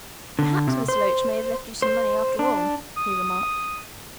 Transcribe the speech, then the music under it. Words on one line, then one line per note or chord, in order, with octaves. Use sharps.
"Perhaps Miss Loach may have left you some money after all," he remarked.
D3
C3
C5
C5
D4
D#6